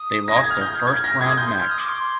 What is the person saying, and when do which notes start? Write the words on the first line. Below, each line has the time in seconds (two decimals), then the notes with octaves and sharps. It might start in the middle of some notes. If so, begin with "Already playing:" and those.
They lost their first round match.
Already playing: D#6
0.28 A#6
0.36 G#6
0.50 F6
0.61 G6
0.87 F6 G#6
1.03 F6 A#6
1.20 D#6 G#6
1.37 C6 G6
1.61 F6
1.71 D#6
1.79 D6
1.89 C6